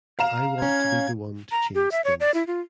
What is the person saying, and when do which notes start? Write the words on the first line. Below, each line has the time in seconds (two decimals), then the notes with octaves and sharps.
I want to be the one to change things.
0.19 F5 A#5 E7
0.62 C#4 G#6
1.51 A#5
1.75 G4
1.92 E5
2.05 C#5
2.20 D5
2.34 E4
2.47 F4